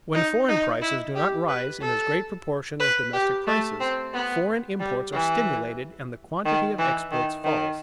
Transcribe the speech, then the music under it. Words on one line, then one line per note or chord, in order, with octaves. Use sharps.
When foreign prices do not rise in as great proportion as domestic prices, foreign imports are stimulated and the quantity of exports falls.
D#4
D#4
E4
G4
B4
A4
B4
G4
A3
C4
B3
G3
E3
D#3
E3
D#3
D#3